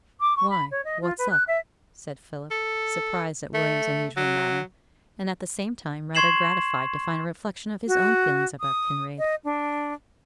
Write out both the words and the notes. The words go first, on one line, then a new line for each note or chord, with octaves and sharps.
'Why, what's up?' said Philip, surprised at William's unusual manner, and, at the same time, rather gratified to find a reflection of his own feelings about Kinraid.
D6
C#6
B5
C#5
D#5
F4
B4
F#6
E5
A4
A3
F#3
C6 C#6 G#6 C7 E7 F#7
F#4
D#6
D#5
D4